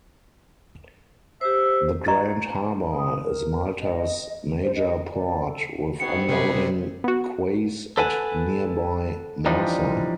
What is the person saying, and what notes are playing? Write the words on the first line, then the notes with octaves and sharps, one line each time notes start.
The Grand Harbour is Malta's major port, with unloading quays at nearby Marsa.
G4 C5 E5
F4 D5 D#5 A#5 C#6
D#6
A#4
D#5
C5
D#5
D5
A4
D#3 B3 C4 F#4 G#4 C#7
C3 G3 G4 G#4 B4 C5 D#5
B3 F#4
A4 B4 F#5 G#5 A5
E3 F3 G3 D4 D#4